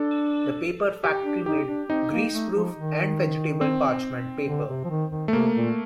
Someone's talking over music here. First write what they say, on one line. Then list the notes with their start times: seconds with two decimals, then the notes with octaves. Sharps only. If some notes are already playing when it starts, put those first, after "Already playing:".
The paper factory made greaseproof and vegetable parchment paper.
Already playing: D4 A4
1.04 G4
1.25 D4
1.46 D#4 G4
1.67 D4
1.89 C4 D#4
2.11 A#3
2.33 A3
2.54 F3
2.76 D#3
3.61 C4
4.48 D3
4.68 C3
4.84 F3
4.90 D#3
5.11 D#3
5.28 A3
5.33 C3 A#3
5.55 A#2